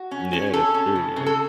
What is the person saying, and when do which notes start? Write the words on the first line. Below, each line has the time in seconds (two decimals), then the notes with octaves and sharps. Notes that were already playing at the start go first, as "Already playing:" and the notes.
Yeah, that's true, yep.
Already playing: F#4
0.11 C#4
0.33 C#4
0.54 C#4 A4
0.74 C#4
0.96 C#3
1.16 C#3
1.26 A4